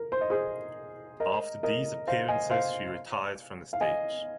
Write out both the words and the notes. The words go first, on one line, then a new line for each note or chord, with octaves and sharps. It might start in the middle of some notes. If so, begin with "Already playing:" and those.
After these appearances she retired from the stage.
Already playing: A#4
C5
D#5
G#4 C5
A#4 D#5
A#4 D#5
C5 F5
D#5 G#5
C5 F5
F5
D#5 G#5